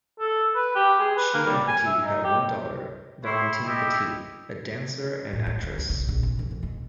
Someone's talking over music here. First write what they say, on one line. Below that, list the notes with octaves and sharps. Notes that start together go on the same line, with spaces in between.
She and Petit had one daughter, Valentine Petit, a dancer and actress.
A4
B4
G4
G#4
B4
A#3
G3
G#5
E5
D#4
G4
E4 G4 C6 C#6
E4 G4 D#5 E5
A2
E4
D3
C2
C2
A#1
C3
E2
F2
B2